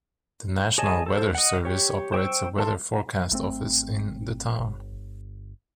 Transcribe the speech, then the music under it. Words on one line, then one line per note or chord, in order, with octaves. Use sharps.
The National Weather Service operates a Weather Forecast Office in the town.
G#4 C#5 D#5 G#5 A5
A4 C5
D#5 F#5
G4 C#5
C5 G5 C#6 E6
A4 A5 C6
G#1 A3 C4
G1